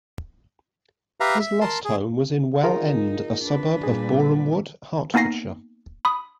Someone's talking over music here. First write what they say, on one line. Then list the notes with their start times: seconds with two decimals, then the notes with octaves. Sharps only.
His last home was in Well End, a suburb of Borehamwood, Hertfordshire.
1.20 G4 B4 E5 F5 A#5
1.40 E5
1.61 A#4 A5 C6
1.85 G#4
2.63 D#4 F4 G#4 A#4
3.44 D4 B4
3.83 A#2 G3 G#4
5.14 A#3 B3 D#4 G#5 A#6 C7
6.05 B5 D#6